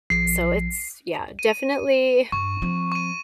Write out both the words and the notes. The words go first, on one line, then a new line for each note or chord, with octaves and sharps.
so it's yeah, definitely
A#1 F3 C7
D#7
G2 C#6
F3 C4
C#6 D#7